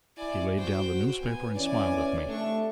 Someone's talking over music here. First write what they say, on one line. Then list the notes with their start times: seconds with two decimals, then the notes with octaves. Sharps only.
He laid down the newspaper and smiled at me.
0.17 E4 D5 G#5
0.58 F#4 C5 G5
1.21 B3 G#5
1.56 E3 C#4 D5 G#5
2.28 C3 A3 D4 C#6